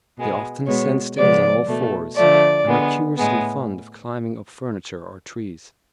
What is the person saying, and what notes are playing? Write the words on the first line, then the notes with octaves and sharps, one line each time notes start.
They often ascend stairs on all-fours; and are curiously fond of climbing up furniture or trees.
B2 G#3 B3
B2 G#3 B3 C#5
C#3 F3 G#3 B3 D5
B2 A3
D3 F3 A3 D5
D3 G#3 B3
A2 G#3 B3